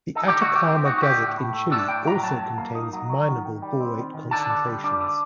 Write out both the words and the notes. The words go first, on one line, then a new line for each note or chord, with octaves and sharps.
The Atacama Desert in Chile also contains mineable borate concentrations.
D#4 A4
G4
D3
F#4
A3
G4
C4 G4
D#4 F#4
F#4
D3 G4
A2
A2
A3
D4 A4
A2 G5
A2 A#5
F#3 A5
F#3
A#3
D#4
F#3
F#3
D#3
D#3
G3
C4
D#3
D#3
D3 A5
D3
G3
D4
D3